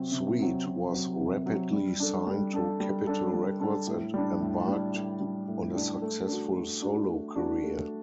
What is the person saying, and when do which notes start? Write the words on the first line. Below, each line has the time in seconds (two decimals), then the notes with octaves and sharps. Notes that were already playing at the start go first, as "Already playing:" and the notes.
Sweet was rapidly signed to Capitol Records and embarked on a successful solo career.
Already playing: C3 F#3 C4
0.12 C3
0.39 F#3 C4
0.66 C3
0.93 F#3 C4
1.20 C3
1.46 F#3 C4
1.72 G3
2.00 D4 A4
2.27 G3
2.53 D4 A4
2.80 G3
3.07 D4 A4
3.34 G3
3.60 D4 A4
3.87 A2
4.14 G3 D4
4.41 A2
4.67 G3 D4
4.94 A2
5.20 G3 D4
5.48 A2
5.74 G3 D4
6.02 A3
6.28 D4 F#4
6.55 A3
6.82 D4 F#4
7.08 A3
7.35 D4 F#4
7.62 A3